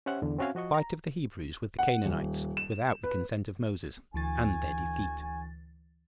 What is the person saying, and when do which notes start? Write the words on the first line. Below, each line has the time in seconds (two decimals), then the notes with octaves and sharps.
Fight Of The Hebrews With The Canaanites Without The Consent Of Moses; And Their Defeat.
0.06 C#4 G4 C5 E5 F#5
0.22 E2 D3
0.38 C4 C#4 F#4 E5 F5 G#5
0.55 F3 F#4 D#5 C#6
0.74 A#5
1.79 F#5
2.05 D#1
2.57 E7
3.03 B4
4.14 D2 D3 E3 F#4 G#5 A6